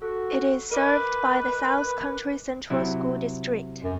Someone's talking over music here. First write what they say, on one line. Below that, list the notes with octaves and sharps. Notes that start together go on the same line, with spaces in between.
It is served by the South Country Central School District.
F#4 A4
A#4 B4 D#5 D6
C3 F#3 E4
F#2